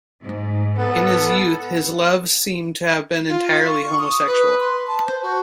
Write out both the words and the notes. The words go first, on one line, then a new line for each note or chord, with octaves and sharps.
In his youth his loves seem to have been entirely homosexual.
G#2
B3 A4
F4
C#6
D#6
B4
C6
A5
C5
F#4